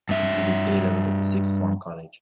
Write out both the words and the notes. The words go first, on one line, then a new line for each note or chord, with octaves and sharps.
He completed his A-Levels at the Sixth Form College.
G2 E5